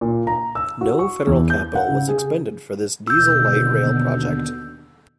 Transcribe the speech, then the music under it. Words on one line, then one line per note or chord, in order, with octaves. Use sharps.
No federal capital was expended for this diesel light rail project.
A#2
A#5
E6
F#4
C#6
E2
G6
F#5
C#3
G#4
D#2 B2 D3 E6 G6